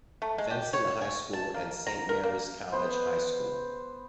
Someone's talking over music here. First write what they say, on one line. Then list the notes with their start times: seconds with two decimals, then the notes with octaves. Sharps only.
Vincent high school and Saint Mary's College High School.
0.22 A3
0.38 G#3
0.51 G4
0.73 C#5
1.01 G#5
1.33 A5
1.54 A#3
1.87 A#5
2.09 A#4
2.23 A#3
2.72 B3 B4 C5